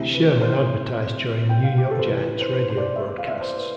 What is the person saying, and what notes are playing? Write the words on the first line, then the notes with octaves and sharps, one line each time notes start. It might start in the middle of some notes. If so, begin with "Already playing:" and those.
Sherman advertised during New York Giants radio broadcasts.
Already playing: D2 C3 E3 E4
B4
C5
G5
F5
G4
A4
C5
A1 A2 E3 B4
B4
C5
B4
C5
C5
D5
E5
F5
E5
C5
B4